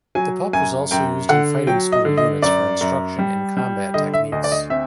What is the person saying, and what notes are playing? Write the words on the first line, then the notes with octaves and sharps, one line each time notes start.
The Pup was also used in Fighting School units for instruction in combat techniques.
F#3 G#5
F#2 G#5
F#2 G5
D3 F#5
F#3 G5
D#5
D3
D#5
F#2 D5
F#2
G3
G3
D3 D#5
E5
D2 D#5
D5
D#5
C4 E5